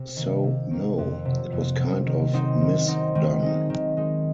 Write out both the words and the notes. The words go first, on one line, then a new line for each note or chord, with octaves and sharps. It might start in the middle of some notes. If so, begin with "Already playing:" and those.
So, no, it was kind of mis-done.
Already playing: C3
D#3 A#3
C3
D#3 A#3
F2
C3 F#3
F2
C3 F#3
D#3
F#3 C4 D#4
D#3
F#3 C4 D#4
D#3
G#3 D#4
D#3
G#3 D#4